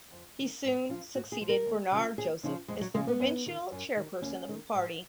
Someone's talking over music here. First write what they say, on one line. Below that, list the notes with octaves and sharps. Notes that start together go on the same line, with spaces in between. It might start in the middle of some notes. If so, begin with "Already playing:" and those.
He soon succeeded Bernard Joseph as the Provincial Chairperson of the party.
F2
D#3
G#2
F3 F4
G#2 F#4
G#4
F3
A#4
D#2
C#3 F3
D#2 G#4
C#3 F3 D#4
F2 G#3
F#3
C#3 F3 G#3
B3
F#2
D#3
F#2
D#3
D#2 C#4
D#3
G#2